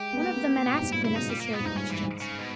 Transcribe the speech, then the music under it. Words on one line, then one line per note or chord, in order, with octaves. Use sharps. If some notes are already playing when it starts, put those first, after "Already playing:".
One of the men asked the necessary questions.
Already playing: G#3 G4
B3
A#3
A#3
B3
A#3
B2
G#2
G2
A#2 E4
C#3 E4
B2 D#4
A#2 G3
A#3
B3
G#2
G2 D#4
C#4
E3
G#2
C#3
B2